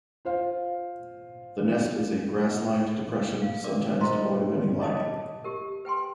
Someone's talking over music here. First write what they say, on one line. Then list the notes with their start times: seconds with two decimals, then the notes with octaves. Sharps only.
The nest is a grass-lined depression, sometimes devoid of any lining.
0.25 F4 C5 F5
3.42 F5
3.64 A#4 D5 D6
4.01 F4 A#4 C5 D#5 A#5 C6
4.81 C#5 D#5 A5 D6 D#6
5.44 G4 A#4
5.85 B4 G5 G#5 C6